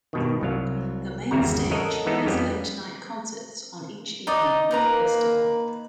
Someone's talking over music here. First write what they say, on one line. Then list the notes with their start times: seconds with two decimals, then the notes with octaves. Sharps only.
The main stage has late night concerts on each evening of the festival.
0.13 G2 B2 D#3
0.41 C2 F#3 F5
1.31 G#1 E2 C#3 G3 F#4 A#5
1.71 A4 A#4 C#5 D#5 F#5
2.06 E3 G#3 B3 D#4 A4
2.26 F2 G3 B3 C#4
4.27 D#4 D5 D#5
4.71 A#3 D#4 B4 A#5